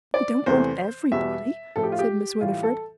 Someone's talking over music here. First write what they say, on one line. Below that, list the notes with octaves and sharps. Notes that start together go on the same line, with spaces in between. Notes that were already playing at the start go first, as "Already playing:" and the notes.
"We don't want everybody," said Miss Winifred.
D5
E2 C3 E3 A3 C5
E2 B2 G3 E5
A2 F3 A3 A4
G4
F4
G4
A2 E3 G3 F4
A4